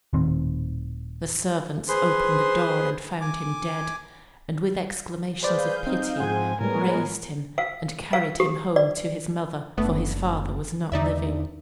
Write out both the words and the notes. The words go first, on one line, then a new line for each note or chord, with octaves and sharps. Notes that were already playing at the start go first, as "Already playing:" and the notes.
The servants opened the door and found him dead, and with exclamations of pity raised him and carried him home to his mother, for his father was not living.
D#1 A2 D#3 C4
G#4 B4 C5 C6
G#5 D6
G#4 B4 C5 D5 F5 G6
C4 D#4
G#2 F3 C4 G#4 F#5 G#5
A2 G3 G#3 B3 A#4 C#5 G#5
F5
F5
G4
D5
F#1 A3 B3 D4
E2 D3 D#4 D5 E5